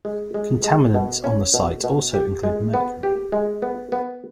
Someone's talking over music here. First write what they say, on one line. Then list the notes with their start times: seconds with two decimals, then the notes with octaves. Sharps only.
Contaminants on the site also include mercury.
0.05 G#3
0.34 G#3
0.64 G#3
0.94 B2
1.24 C#4
1.54 B2
1.84 B2
2.14 G4
2.43 G#3
2.74 B3
3.03 G4
3.32 G#3
3.62 B3
3.92 B3